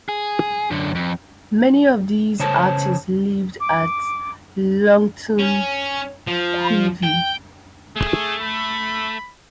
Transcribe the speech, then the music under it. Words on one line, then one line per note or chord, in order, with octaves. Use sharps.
Many of these artists lived at Loughton, q.v.
G#4
F#2 D3
F2
C#3 C5 C#5 A5
D6
C#4
F3
G5
A3 G#4
B5